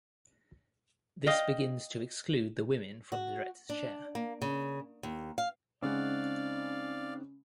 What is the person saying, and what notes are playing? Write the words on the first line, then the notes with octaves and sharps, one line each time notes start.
This begins to exclude the women from the director's chair.
D#5 F5 G5
F#4
D4
A#3
C#3
D#2
F5
C#3 G#3 C4 C#4 D#4 D5 F5 F#5